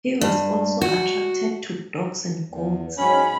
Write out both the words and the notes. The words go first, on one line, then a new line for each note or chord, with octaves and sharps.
He was also attracted to dogs and goats.
G2
F#4
E2
G#2 F#3 C#4 B5